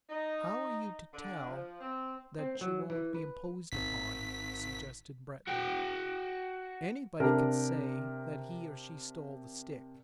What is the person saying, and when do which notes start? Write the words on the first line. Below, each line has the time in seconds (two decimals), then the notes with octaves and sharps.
"How are you to tell that you won't be imposed upon?" suggested Breton. "Anybody can say that he or she stole the stick."
0.10 D#4
1.13 D3
1.47 F3
1.80 C4
2.39 C4
2.61 F#3
2.90 E3
3.15 B4
3.72 G#1 B6
5.48 F#4 G5
7.20 C3 D4 A#4